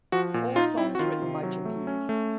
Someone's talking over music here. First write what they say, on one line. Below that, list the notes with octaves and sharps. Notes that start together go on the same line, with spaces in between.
All songs written by Jim Heath.
F3 F#4
A#2
D#4 F4
C4 E4
F#4
D#3 F4
C3
F#3
A3
C#4
A3